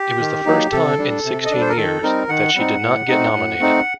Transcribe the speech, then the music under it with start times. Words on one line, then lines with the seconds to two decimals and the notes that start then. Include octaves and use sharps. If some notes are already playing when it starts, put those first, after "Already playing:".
It was the first time in sixteen years that she did not get nominated.
Already playing: G4
0.20 D#3
0.46 F#3 A#3 D#4
0.72 C3 A4
0.98 G3 D4
1.25 C3
1.45 D#5
1.51 G3 D4 D5
1.61 C5
1.69 A#4
1.77 D#3 A4
2.03 G3 C4 D#4 A#4
2.29 D#3 F#5
2.55 G3 C4 D#4
2.82 A2
3.08 A3 C4 D#4
3.34 A2
3.60 A3 C4 D#4